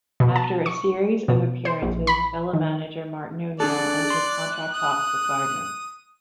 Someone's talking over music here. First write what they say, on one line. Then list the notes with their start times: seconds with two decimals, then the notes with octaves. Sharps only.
After a series of appearances Villa Manager Martin O'Neill entered contract talks with Gardner.
0.20 B2
0.36 A5
0.66 C#6
1.28 B2
1.65 C5
1.82 A#1
2.07 B5
2.53 D#3
3.60 D4 G#4 A4 D5 F#6
4.10 C6
4.73 D#6